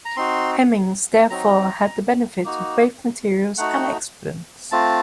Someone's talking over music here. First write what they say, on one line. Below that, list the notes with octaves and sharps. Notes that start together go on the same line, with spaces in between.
Hemmings therefore had the benefit of both materials and experience.
A#5
C4 D#4 F#4 C6
F#3 C4 D#4 F#4 A#5
A#3 D#4 F#4
A3 D#4 F#4 F#5
A3 C4 F4 A5